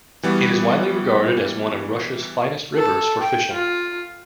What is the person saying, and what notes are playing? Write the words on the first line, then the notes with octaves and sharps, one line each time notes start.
It is widely regarded as one of Russia's finest rivers for fishing.
E3 G3 B3 F#4
A4
G5
F4